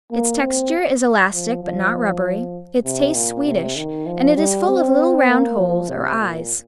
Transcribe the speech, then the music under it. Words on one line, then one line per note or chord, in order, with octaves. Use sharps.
Its texture is elastic but not rubbery, its taste sweetish, and it is full of little round holes or eyes.
A#3
C4
F3
F3
C3
A#2
C3
D#3
F3
G3
C4
A#3
F3
C3
A#2